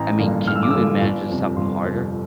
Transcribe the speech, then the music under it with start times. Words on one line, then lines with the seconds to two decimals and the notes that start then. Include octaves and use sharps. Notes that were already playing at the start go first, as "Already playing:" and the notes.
I mean, can you imagine something harder?
Already playing: A1 A#5
0.19 G2 D3 F3 A#3
0.48 A1 F6
0.56 E6
0.63 D6
0.71 G2 D3 F3 A#3 E6
1.01 G1
1.29 F2 C3
1.56 G1 C6
1.84 F2 C3